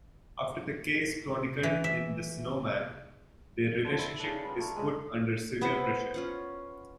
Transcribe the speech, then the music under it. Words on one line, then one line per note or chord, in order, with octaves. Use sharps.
After the case chronicled in "The Snowman", their relationship is put under severe pressure.
E3
E5
D3 F3
E4
C#3 D4
G3 B3 F4
A3 A#3
C#3 G#3
B3 E4 B4 C5
C#4 F4 F#5